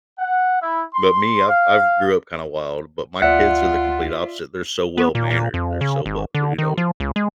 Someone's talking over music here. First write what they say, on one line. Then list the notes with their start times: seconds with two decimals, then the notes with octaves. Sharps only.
But me, I've I've grew up kinda wild, but my kids are the complete opposite, they're so well mannered, they're so well they're, you know,
0.19 F#5
0.61 E4
0.94 C6
1.48 F5
3.22 D2 F4 D5 E5 F#5
4.97 B3
5.15 A#2
5.31 A#2
5.54 F2
5.81 C#3
6.06 G#1
6.35 D3
6.58 D#3
6.77 F3
7.00 C#2
7.16 G#3